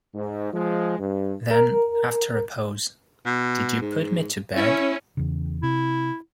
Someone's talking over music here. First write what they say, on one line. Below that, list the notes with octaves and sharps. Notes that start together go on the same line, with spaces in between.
Then, after a pause: "Did you put me to bed?"
G#2
F3 G#3
G2
A#4
B2
G#2
C#4 E4
E2 C#3
C3 E4